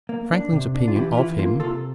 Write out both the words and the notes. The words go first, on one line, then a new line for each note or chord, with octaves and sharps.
Franklin's Opinion of him.
A#3
D4
C3
D4
F4
E3 E4 G4
F4
E3 E4
A#3 F4
C3 F4 A4